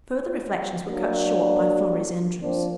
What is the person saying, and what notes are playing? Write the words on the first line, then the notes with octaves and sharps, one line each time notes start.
Further reflections were cut short by Florrie's entrance.
F#3 A#3 D4
F3 A#3 C4 D4